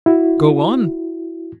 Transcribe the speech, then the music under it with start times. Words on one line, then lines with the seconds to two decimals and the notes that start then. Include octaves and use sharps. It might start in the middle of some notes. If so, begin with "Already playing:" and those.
"Go on."
0.06 E4 F#4